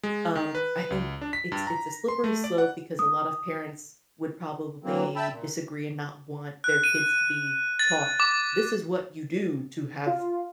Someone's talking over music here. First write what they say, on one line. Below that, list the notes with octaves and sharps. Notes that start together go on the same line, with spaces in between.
um, I think it's it's a slippery slope because a lot of parents would probably disagree and not want their kids to be taught, "This is what you do to have,"
G#3
D#3
B4
C#2
D4
B6
G2
A#5
C6
A3
D5
F#5
D#6
E3 F#3 A#3 C4
E5 G5 A5 B5 E6
A#2
F#6
D#7
A6
D6
F4